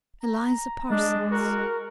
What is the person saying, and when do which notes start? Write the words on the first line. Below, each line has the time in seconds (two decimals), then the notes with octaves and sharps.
"Eliza Parsons."
0.23 A#5
0.90 G#3 D4 D#5
1.32 F#4 A#4